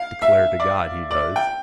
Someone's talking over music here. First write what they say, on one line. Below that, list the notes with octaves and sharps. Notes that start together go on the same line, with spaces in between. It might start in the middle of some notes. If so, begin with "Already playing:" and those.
Declare to God he does.
Already playing: F5
E5
D5
D5
G5